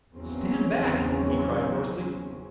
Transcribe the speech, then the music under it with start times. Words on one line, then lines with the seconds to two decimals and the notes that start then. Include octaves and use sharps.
"Stand back!" he cried, hoarsely.
0.14 G#1 E2 C#3 F#3 C4 C#4